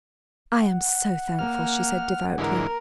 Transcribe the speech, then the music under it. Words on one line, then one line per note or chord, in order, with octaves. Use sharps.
"I am so thankful," she said devoutly.
F#5
A#3 F6
G#2 D3 E3 A#4